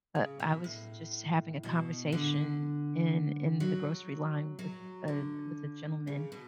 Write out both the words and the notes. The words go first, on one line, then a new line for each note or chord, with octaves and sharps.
uh, I was just having a conversation in in the grocery line with, uh, with a gentleman,
C#3
B2
A2
B2
D3
F#3
F#3
D3
C#3
B2